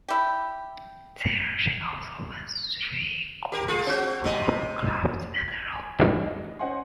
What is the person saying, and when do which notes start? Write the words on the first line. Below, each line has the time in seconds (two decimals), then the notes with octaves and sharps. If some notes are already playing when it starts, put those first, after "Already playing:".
There she also won three golds - Hoop, Clubs and Rope.
0.08 E4 G4
3.52 G4 A#4
3.68 A3 F4 G#4
3.86 C4 F#4
4.24 C3 D#5
5.48 G#6
5.76 G#5
6.01 G3 D4 D#4
6.26 D#5
6.59 C#4 C5 D#5 F#5 G#5 C6